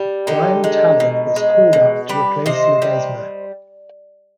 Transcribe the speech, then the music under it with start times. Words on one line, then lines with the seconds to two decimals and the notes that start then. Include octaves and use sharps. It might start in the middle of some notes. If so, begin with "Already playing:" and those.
Brian Tallet was called up to replace Ledezma.
Already playing: G3
0.27 D3 D#4 G4
0.64 G#3
1.00 B2
1.36 G#3
1.73 B2
2.09 G3 G4 B4
2.46 C3 C5 D#5
2.82 G3